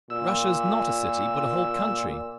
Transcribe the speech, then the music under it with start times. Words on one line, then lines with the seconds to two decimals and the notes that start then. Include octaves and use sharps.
Russia is not a city, but a whole country....
0.10 A#2 E6